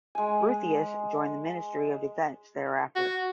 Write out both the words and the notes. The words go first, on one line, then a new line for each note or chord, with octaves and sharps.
Groothuis joined the Ministry of Defence thereafter.
G#3 G#5
F#4